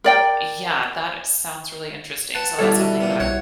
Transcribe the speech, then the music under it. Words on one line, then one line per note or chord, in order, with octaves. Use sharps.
Yeah. That sounds really interesting, so that's something that I'm
A#4 D5 G5
B4 F#5 A5
B2 G3 E4 A4 C#5 D5
D3 F#4
A#2 D3 B3
B1 C#5 F#5